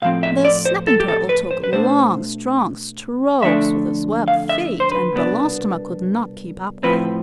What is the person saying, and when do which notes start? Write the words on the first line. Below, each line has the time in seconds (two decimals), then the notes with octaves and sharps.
The Snapping Turtle took long, strong strokes with his webbed feet, and Belostoma could not keep up with him.
0.02 A2 F3 C4 F5
0.23 E5
0.45 D5
0.65 C5
0.87 A4
1.00 G4
1.08 A4
1.29 B4
1.51 C5
1.64 B4
1.72 B2 A3 D4 C5
3.42 F2 D3 A3 D4 E5
4.28 F5
4.49 E5
4.80 C5
4.92 B4
5.13 C2 B2 B3 D4
6.83 A2 F3 C4 B4